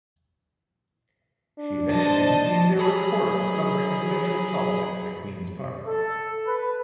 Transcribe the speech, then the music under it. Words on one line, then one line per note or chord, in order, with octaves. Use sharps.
She eventually became their reporter covering provincial politics at Queen's Park.
D4
C5 D#5 A5
F#3 G#4 B5
A4
B4